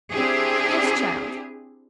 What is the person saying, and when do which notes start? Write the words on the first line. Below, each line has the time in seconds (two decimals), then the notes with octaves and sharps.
Yes, child.
0.12 C4 D4 E4 G4 G#4